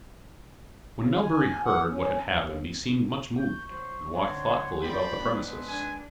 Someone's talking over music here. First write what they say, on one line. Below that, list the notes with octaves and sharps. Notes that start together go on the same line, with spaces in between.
When Melbury heard what had happened he seemed much moved, and walked thoughtfully about the premises.
C#3
G#5
F#5
C#4
D#2
C#6 G6
F#3 C5
D3 C4 D#4 C#5 F#5 C6
A3 C4 F4 C5 D5 G5 B5
G#3 B3 C4 D4 B4
D#3 D4 G#5